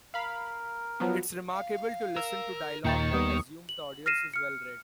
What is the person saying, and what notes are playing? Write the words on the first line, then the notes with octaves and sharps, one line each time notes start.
It's remarkable to listen to dialogue that assumes the audience is well-read.
A#4 F5 B5
F3 F#3 B3
F5
A#4 E6
D#2 A#2 D#3 D#4 G5 A#5 C#6 A6
G3 B3 D#6
F#7
F6 A#6 C7 D#7 E7
F6 C#7